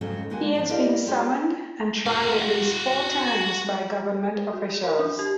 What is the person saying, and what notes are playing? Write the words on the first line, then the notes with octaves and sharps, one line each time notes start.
He has been summoned and tried at least four times by government officials.
F2 G#2 C#3 F#3 A3 C#4
D#2 G#3 A#3 F#4 G#5
F3 D4
E4 G4 A#4 D5 D#5 F5
A3 F4 G4 G#4
F#4 F5
F#4
A#4
D4
G4